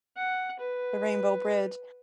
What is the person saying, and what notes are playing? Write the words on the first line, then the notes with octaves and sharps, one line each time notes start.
the Rainbow Bridge.
F#5
B4